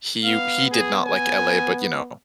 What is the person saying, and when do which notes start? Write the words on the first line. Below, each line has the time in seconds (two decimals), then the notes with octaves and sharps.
he he did not like LA, but, you know
0.25 B3 F5
0.72 G#4
1.05 G#5